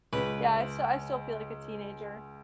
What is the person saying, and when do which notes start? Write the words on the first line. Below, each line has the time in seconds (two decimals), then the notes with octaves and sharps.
Yeah. I still I still feel like a teenager.
0.13 C#2 B4